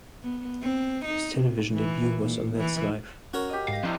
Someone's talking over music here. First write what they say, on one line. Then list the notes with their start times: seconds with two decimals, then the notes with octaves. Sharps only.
His television debut was on That's Life!
0.23 B3
0.62 C4
1.05 D#4
1.38 C3
1.73 E3
2.21 A#2
2.57 E3
3.34 C#4 F#4 A#4 C#5
3.49 G4 D#5
3.68 G#2 F5 A#6
3.83 F3 C4 D4 E4 G5 A#5 C6